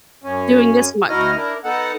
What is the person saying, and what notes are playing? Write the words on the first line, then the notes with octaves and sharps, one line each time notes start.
doing this much.
F#2 C#4
D2 D#4 E4 F#4 D#5 F6
D4 E4 A#4
B3 D#4 A4 F#5